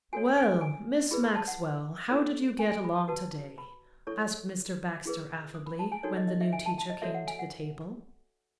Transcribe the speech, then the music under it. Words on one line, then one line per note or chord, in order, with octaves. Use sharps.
"Well, Miss Maxwell, how did you get along today?" asked Mr. Baxter affably, when the new teacher came to the table.
F#4 A4 C#5 G#5
G#5
G#5
E4 G#4 B4 B5
B5
A5
F#5
E4 A4 C#5
G#5
G#5
B5
A5
F#4 B4 A5
B5
E4 A4 C#5 C#6
E4 G#4 B4
D#6
B5
A5
G#5
D#4 F#4 A4 C#5
D#5
D#5
E5
G#5
A5
A5
D#5
F#4 A4 C#5 E5
F#5
G#5
F#5